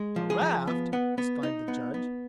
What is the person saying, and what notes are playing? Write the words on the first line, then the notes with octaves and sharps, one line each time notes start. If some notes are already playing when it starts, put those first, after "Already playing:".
"A raft!" exclaimed the Judge.
Already playing: G#3
F3
G#4
F3
B3
B3
B3
D#4
B3
B3